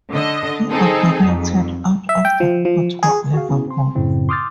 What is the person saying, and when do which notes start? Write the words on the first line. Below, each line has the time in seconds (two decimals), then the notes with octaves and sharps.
He operated out of the Port of Liverpool.
0.12 D3 D#5
0.71 C4 D#4 G#4 A4
1.25 F2
2.09 E5
2.25 G5
2.40 F3
2.65 F3
3.03 G#4
3.34 F#4 G#4 F5
3.49 B3 C#4 E4 G#4
3.68 C4 C6
3.95 F#2 A2 C#3 C4 E4
4.29 C6 D6 D#6 F6 G6 A6